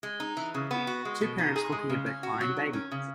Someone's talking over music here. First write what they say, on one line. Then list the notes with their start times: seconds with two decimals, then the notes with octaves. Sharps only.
Two parents looking at their crying baby.
0.03 G#3
0.20 D#4
0.37 E3
0.54 C#3
0.71 B3
0.87 F#4
1.05 G#3
1.21 B2
1.38 D#4
1.56 G#4
1.72 G#3
1.89 C#3
2.06 C#4
2.23 F#4
2.41 F#3
2.57 D#3
2.73 C#4
2.91 C#3